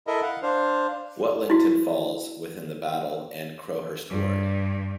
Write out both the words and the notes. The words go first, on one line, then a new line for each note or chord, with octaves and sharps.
Whatlington falls within the Battle and Crowhurst ward.
E4 A4 A#4 D#5 E5
F5 F#5
D4 C5 F5
E4 F#4
G2